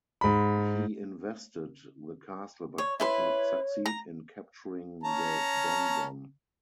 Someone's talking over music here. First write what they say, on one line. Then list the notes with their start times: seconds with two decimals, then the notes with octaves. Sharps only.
He invested the castle, but could not succeed in capturing the "donjon".
0.21 G#2 B5
2.78 C#5
3.00 E4 B4 C#5 C6
3.86 A#5
5.04 C#4 A5 A#5